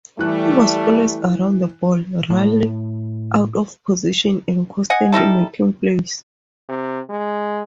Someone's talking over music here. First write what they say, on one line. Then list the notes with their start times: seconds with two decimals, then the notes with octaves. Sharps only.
He was always around the ball, rarely out of position, and constantly making plays.
0.19 E3 G3 A3 F#6
2.30 A2
4.90 D#5 F#5 G#5
5.12 G3 D#4 E4 A4
6.69 C3
7.09 G#3